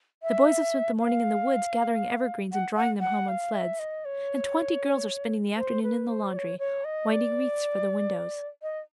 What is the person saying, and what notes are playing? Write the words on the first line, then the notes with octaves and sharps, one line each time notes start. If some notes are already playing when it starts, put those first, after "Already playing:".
The boys have spent the morning in the woods, gathering evergreens and drawing them home on sleds; and twenty girls are spending the afternoon in the laundry, winding wreaths for the windows.
E5
F5
F#5
F#5
F#5
F5
E5
D#5
C#5
C5
B4
C5
D5
C#5
C#5
D#5
D5
D#5